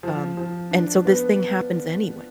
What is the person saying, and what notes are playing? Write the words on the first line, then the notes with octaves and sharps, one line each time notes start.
um, and so this thing happens anyway.
F3
F3
D4
B3